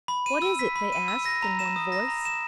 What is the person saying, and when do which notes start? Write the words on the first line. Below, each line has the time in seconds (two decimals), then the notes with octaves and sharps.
"What is it?" they asked, in one voice.
0.08 B5
0.26 D#7
0.42 E6
0.59 B6
0.76 B5
0.92 D#7
1.08 E6
1.26 A#6
1.43 A#5
1.59 E7
1.76 D#6
1.92 A#6
2.08 A#5
2.25 E7